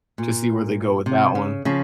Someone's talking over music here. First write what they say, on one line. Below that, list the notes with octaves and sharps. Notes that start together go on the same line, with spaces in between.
to see where they go with that one.
A#2
C3
C#3
C#3 F3